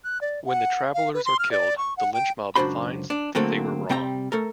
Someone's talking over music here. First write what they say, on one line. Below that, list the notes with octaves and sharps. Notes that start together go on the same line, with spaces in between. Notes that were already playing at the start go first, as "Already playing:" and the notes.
When the travelers are killed, the lynch mob finds that they were wrong.
F#6
D5
F#5
F5
B4
C6
F6
D5
C#6
F#5
G5
C#2 F#2 D4 F#4 C5 B5
D4
D3 F#3 A3 A#3 C4
C3 G3 C4 G5 G#5 A#5
A3 A4 A#4